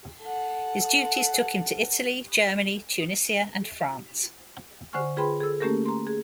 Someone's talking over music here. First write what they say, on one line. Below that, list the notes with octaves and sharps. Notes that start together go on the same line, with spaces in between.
His duties took him to Italy, Germany, Tunisia and France.
A4 F#5
D3 C5 F#5 G#5 C#6 F6
F4 G#4 B4 G5 B5 C6
G#4 A4 E6
A3 A#3 C#4 G4 A4 A#4
A#5 C6
G#4